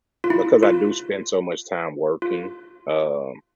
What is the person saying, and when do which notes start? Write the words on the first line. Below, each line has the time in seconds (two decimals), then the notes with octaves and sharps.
because I do spend so much time working, um,
0.24 F4
0.30 E4
0.63 F4
2.22 F4